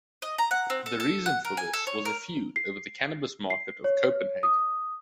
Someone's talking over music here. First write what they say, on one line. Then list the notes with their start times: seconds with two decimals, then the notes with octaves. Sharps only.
The reason for this was a feud over the cannabis market of Copenhagen.
0.22 D#5
0.38 A#5
0.51 F#5
0.70 C4
0.86 A4
1.00 A4
1.26 F#5
1.45 A#4
1.57 G#5
1.73 A4
1.87 C#5
2.05 A#4
2.56 C7
3.50 C7
3.84 C#5
4.43 D#6